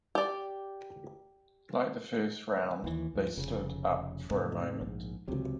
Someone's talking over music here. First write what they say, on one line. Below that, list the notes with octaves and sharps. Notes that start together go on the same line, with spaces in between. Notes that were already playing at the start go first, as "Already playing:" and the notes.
Like the first round, they stood up for a moment.
G4 D5
D#2 E3
D#2 G#2 F3
F1 C#3
E2 G#2 C3 A3
A#1 G#2
C#2 C3 F#3